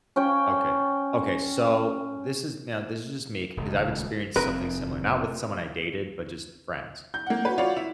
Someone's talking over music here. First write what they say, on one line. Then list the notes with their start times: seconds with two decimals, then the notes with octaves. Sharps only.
Okay, okay, so this is, now, this is just me 'cause I've experienced something similar, not with someone I dated, but just friends.
0.16 C#4 C#5 G5
3.57 D#1 C#2
4.36 F1 C4 A#4 B4
7.14 G6
7.27 A#3 F#5
7.45 F#4 B4
7.58 F4 F#4 C#5 D5
7.76 E4